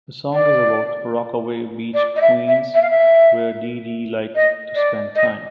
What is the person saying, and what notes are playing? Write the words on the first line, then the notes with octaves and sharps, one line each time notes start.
The song is about Rockaway Beach, Queens, where Dee Dee liked to spend time.
D5
D5
D#5
E5
E5
E5
F5
E5
D#5
D5
D#5